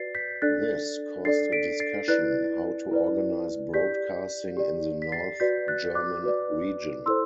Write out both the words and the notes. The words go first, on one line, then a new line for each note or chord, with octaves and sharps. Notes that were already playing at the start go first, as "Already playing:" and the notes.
This caused a discussion how to organise broadcasting in the North German region.
Already playing: F#4 B4 D5 A6 C7
G6 B6
D4 A4 D5 F#6 A6
D4 A4 D5 A6 C7
B6 D7
A6 C7
E4 B4 D5 F#6 A6
E4 B4 D5
G4 D5 G6 B6
G4 D5
B6
A6 C7
F#4 B4 D5 G6 B6
F#6 A6
D6 F#6
F#4 B4 D5
E4 A4 C5 C6 E6